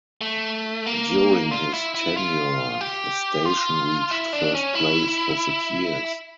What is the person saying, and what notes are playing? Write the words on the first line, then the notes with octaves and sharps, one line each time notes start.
During his tenure, the station reached first place for six years.
A3
A#3
F4
E4
E4
F4
G4
F4
E4
D4
C#4
E4